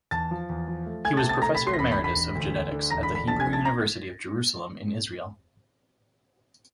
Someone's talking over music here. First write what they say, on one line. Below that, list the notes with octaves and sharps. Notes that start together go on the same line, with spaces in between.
He was professor emeritus of genetics at the Hebrew University of Jerusalem in Israel.
E2 A5 A6
F3
E2
F3
A3
A3 G#5 G#6
A5 A6
C3
A5 A6
A3 A#5 A#6
B5 B6
C3
C6 C7
A#6
E1 B5 B6
B5 B6
E1
B5 B6
E1
D2
D2
D3
E1 A#5 A#6
B5 B6
D3
B5 B6
A#1 A5 A6
G#5 G#6
A#1
A5 A6
A#5 A#6